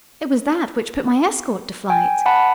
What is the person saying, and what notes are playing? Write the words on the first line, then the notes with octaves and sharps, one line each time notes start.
"It was that which put my escort to flight."
G5 G#5
F#5 A5 B5